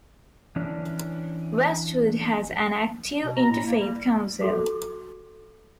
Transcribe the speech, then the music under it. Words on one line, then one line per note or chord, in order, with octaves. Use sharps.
Westwood has an active Interfaith Council.
E3 C#4 D4
B2
A#5
A2
A#3
G3
F#4 A4 D6